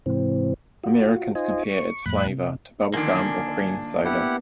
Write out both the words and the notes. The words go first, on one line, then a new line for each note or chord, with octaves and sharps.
Americans compare its flavor to bubblegum or cream soda.
G#2 C3 E3 C4
F4 F#4
D#4 F4 C5 D#5 G#5
C#6
F2 A2 B5 F#6
C3
D3 D#3 F3 A#3 D4 G#5
B3 E4 G4 F#5